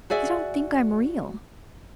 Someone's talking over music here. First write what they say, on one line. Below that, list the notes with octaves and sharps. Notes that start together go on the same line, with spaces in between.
They don't think I'm real.
F#4 G#4 D5 E5